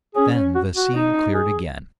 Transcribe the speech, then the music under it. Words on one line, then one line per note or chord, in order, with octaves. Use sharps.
Then the scene cleared again.
C#4 G#4
F#4
F#4
D#4
G#4